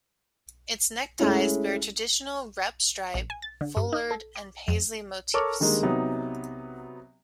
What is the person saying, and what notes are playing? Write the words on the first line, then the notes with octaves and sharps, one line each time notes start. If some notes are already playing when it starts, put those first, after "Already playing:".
Its neckties bear traditional repp stripe, foulard, and paisley motifs.
G#3 A3 C#4 E4
A#1
G#5
A6
D3
G2
D#4
A4
D6
F2
A4 A#4 C#5 C#6 D6 F6
D3 D#3 G3 G#3 A#3
C3 F#3 B3 D#4